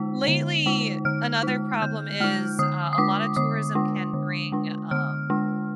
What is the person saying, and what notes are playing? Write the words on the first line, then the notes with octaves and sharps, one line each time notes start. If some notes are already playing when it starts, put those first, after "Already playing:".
Lately, another problem is, uh, a lot of tourism can bring, um
Already playing: D3 G#3 D#4
D3
G#3 D#4
D3 F6
G#3 D#4
D3 G6
G#3 D#4 F6
D3 D#6
D#6
G#3 D4 D6
D3 D#6
G#3 D4
D3
G#3 D4
D3 F6
G#3 D4